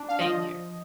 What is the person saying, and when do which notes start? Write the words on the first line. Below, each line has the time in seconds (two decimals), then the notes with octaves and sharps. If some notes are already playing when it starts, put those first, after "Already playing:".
Same here.
Already playing: D4
0.09 F5
0.20 F3 D#5